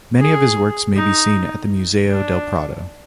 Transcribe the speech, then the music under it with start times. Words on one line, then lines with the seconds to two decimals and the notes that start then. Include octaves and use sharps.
Many of his works may be seen at the Museo del Prado.
0.20 G#4
0.96 D#4
2.09 D4